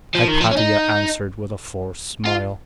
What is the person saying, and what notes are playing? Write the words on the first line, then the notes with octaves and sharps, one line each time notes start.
Hypatia answered with a forced smile.
F3
D#3
F3
C#4
D#4
F4